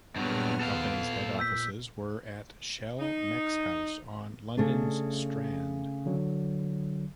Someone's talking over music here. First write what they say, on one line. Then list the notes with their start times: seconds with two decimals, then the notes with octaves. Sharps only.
The company's head offices were at Shell Mex House on London's Strand.
0.16 G2 A#2 F#3 B3 G#4 F6
0.61 D#2 A4 F5 C6
0.93 A#2
1.39 E6 G6 B6
3.00 D#4
4.57 C#3 A3 D4
6.06 D3 F#3